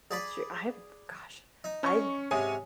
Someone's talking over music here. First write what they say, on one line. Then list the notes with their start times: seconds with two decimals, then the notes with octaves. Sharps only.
That's true. I have gosh, I
0.11 G#4 D5 B5
1.64 D#4
1.83 C#4 C#6
2.31 G#2 C3 C#5 G#5 D#6